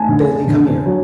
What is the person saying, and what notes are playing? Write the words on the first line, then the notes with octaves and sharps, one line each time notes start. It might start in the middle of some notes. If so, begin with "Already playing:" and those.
Bailey, come here.
Already playing: A3 G#5 A5
D3
D3
F#3